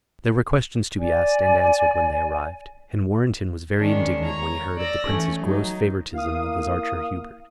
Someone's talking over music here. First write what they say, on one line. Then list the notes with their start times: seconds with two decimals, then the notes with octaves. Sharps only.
There were questions to be asked and answered when they arrived; and Warrenton was very indignant when he heard of the Prince's gross favoritism of his archer Hubert.
0.98 D5 G#5
3.77 D#3 G#3 C#4 D4
4.25 C#5 A#5
4.77 D5 E6 A#6
5.07 E3 A3 C#4
5.40 F#3 D#4
6.13 A#3 E4 F5 D#6